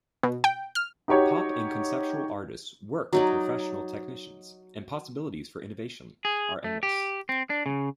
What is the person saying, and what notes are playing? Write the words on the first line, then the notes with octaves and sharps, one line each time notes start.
Pop and conceptual artists work with professional technicians, and possibilities for innovation are endless.
B2
G5
F6
D#4 F#4 G4 C#5
F#3 D#4 D5
G#4
A3
G4
C4
D4
C#3